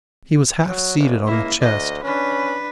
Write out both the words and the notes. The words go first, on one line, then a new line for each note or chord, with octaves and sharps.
He was half seated on the chest.
F#3
F#1
C#2 A#3 E4
D2 D#5
C#4 D4 B4